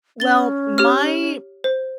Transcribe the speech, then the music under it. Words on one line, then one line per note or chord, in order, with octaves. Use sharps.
Well, my
C#4 A6 G7
G4 C#5 F6
C5